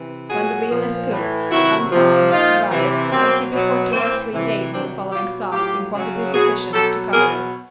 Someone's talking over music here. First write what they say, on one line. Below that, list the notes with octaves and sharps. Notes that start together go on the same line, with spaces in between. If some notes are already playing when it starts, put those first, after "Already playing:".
When the veal is cooked, untie, dry it and keep it for two or three days in the following sauce in quantity sufficient to cover it.
Already playing: C3 E3
A#2 F#3 F#4 G#4
A#2 F3
A2 E3
C3 D#3 F#3 E4 F#4
C3 F3
A#2 F3 D#4 F4
C3 E3
B2 F#3 A#3 C4
B2 F#3
A2 E3 A#3 C4
C3 E3
C3 D#3 F#3 C4 D4
B2 F#3 F4 G4
A2 F#3 F4 G4
C#3 F#3
B2 F#3 F#4 G#4
B2 F#3 G4 A4
B2 F#3 G#4 A#4